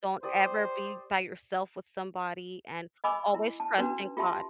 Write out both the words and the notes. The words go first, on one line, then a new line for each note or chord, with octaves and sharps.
don't ever be by yourself with somebody, and always trust in God.
G4 C5 D5 D#6
D#5 G#5 B5 D6 E6
E4
A5
C#4 D4 F#4 B4
F4 G4 E5 A5 C6